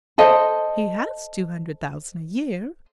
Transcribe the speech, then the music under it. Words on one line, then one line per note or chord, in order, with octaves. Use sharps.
He has two hundred thousand a year.
A4 C5 D#5